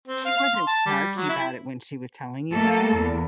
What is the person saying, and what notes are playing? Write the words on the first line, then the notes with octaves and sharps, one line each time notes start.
She wasn't snarky about it when she was telling you, though?
C4
F5
F5
C6
A5
G3
F#3
E4
A3 A#3 A4
E2